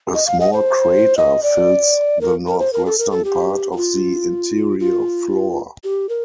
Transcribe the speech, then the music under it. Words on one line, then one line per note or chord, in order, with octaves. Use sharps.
A small crater fills the northwestern part of the interior floor.
D#5
F5
D#5
C5
D#5
D5
A#4
A#4
C5
A#4
A4
A#4
A4
G4
G4
F4
F4
G4
A#4